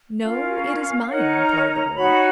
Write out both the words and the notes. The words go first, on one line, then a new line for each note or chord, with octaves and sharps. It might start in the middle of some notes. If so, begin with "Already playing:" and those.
'No, it is mine,' replied the boy.
C#4 F4 A#4 F5
D#4 A#4 C#5 F#5
A#5
A#5
D#4 F#4 C#5 B5